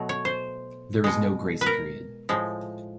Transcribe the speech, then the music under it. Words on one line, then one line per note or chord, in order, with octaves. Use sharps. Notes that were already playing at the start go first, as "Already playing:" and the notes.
There is no grace period.
Already playing: B2 F#3 A3
C#5
C5
B2 G#3
B4
A#4
A2 F3 G#3